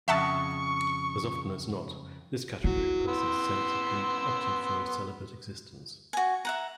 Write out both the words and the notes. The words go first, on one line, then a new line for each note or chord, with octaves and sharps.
As often as not, this category of person sensibly opted for a celibate existence.
F2 C#3 E5 F#5 A5 C#6
F#3 E4
B3 C6 E6
F#4 G#5
E5 F#5 A#5